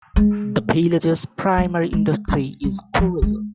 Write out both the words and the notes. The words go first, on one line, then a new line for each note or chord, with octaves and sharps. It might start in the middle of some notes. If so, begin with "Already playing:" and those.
The village's primary industry is tourism.
G#3
G3
G#3
G3
G3
F3
G#3